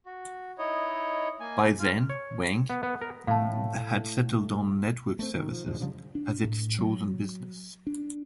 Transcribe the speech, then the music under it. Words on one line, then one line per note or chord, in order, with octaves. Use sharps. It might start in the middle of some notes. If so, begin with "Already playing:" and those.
By then Wang had settled on "network services" as its chosen business.
F#4
D#4 E4 C#5 D#5
A#3 G#5
F4
C#5
B3
B3
A#4
A2 F5 A5
A3 B3 C4
D#3
F3
E2 G#2 D3 F3
C#3 F3 G3 D4
D4
A2
F#3
D4